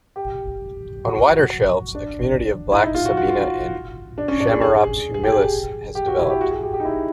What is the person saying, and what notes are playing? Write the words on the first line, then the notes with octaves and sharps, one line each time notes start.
On wider shelves, a community of Black Sabina and "Chamaerops humilis" has developed.
G4
F#4
D4
E4
D#4
F4
F#4
F#4
F4
D4
C#4
D4
G#4
G#4
G#4
G#4
G4
G#4
G4
F#4
E4
G4
F#4
G#4
G4
G4
D#4
E4